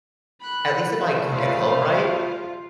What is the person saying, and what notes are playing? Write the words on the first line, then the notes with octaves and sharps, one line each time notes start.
at least if I cook at home, right,
B5 F#6
C#3 G3 A3 E5
F4 B4 C5 F5
F4